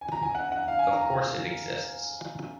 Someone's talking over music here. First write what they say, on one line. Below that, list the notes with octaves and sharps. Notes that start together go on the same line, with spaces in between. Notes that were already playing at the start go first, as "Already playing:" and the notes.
Of course it exists!
G#5
A#5
G#5
F#5
F#5
F5
G#5
A#5
A#5